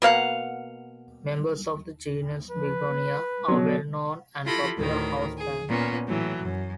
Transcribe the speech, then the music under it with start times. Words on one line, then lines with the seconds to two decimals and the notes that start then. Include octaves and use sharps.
Members of the genus "Begonia" are well-known and popular houseplants.
0.02 B2 A#3 F5 F#5
2.51 B4
3.48 B2 F#3
4.46 E4 F4 G4 A4 B5 A#6
4.78 D2 A2 D#3 A#4 B5
5.37 G#4
5.70 A#2 B3 C#4
6.08 A2 E3 F#3
6.43 F#2